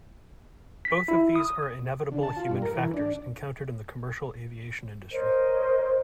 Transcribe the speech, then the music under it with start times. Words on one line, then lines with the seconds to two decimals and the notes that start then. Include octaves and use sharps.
Both of these are inevitable human factors encountered in the commercial aviation industry.
0.85 B6
1.08 E4
1.35 D#6
2.12 D3
2.23 A5
2.37 F4
2.50 G2
2.62 A#4
2.75 E3
2.94 D4
5.11 A#4 C5 C#5 D#5